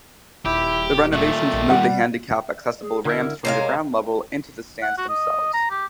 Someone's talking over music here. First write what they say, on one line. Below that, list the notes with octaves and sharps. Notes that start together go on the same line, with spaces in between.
The renovations moved the handicap accessible ramps from ground level into the stands themselves.
D#1 E4 G4
A#2 D#3 A3
A#1
G3 F#5
G#4
D3 E4 A#4
C3 G#3 A#4 C5 C#5 F5
F#5
F#4
D#5
A#5
G4